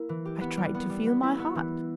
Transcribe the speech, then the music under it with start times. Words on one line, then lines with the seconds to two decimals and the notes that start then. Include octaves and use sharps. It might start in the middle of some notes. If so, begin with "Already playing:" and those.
I tried to feel my heart.
Already playing: A#3 E4
0.09 E3
0.25 G4
0.41 B3
0.57 G3
0.75 B3
0.90 G3
1.06 B3
1.23 E4
1.39 B3
1.55 E3